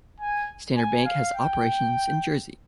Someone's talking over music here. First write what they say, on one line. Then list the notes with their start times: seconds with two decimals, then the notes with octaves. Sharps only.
Standard Bank has operations in Jersey.
0.20 G#5
0.77 G#5
1.05 F5
1.34 G5